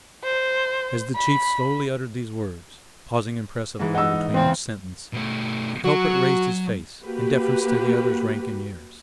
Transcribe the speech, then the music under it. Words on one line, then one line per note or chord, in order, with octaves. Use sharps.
As the chief slowly uttered these words, pausing impressively between each sentence, the culprit raised his face, in deference to the other's rank and years.
C5
B5
G#2 E3 G#4
D#4 F#5 E6
E2 C#3 C4 C5
B2 A3
F#3 F#4
A#3 F#4 G4 B4